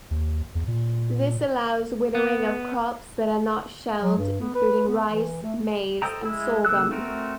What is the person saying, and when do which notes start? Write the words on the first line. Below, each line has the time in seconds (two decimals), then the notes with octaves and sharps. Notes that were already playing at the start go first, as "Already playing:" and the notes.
This allows winnowing of crops that are not shelled, including rice, maize, and sorghum.
0.11 D#2
0.55 E2
0.68 A#2
2.15 B3
4.02 F#3
4.18 G2
4.41 B3
4.55 B4
4.88 B3
5.08 E3
5.43 A3
6.02 A4 C5 D#5 G5 A#5
6.25 G#3 E4
6.65 C#3 A#3 A4 E6 F#6
6.91 A3 C4 F#4 A#4